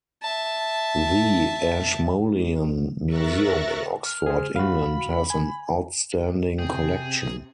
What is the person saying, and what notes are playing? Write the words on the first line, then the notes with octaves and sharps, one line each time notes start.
The Ashmolean Museum in Oxford, England, has an outstanding collection.
E5 A5
A#4 E5 C#6 F#6 A6 A#6
F6
G#4 C5
F#4 F5 B5
G#5
C3 G#4 G5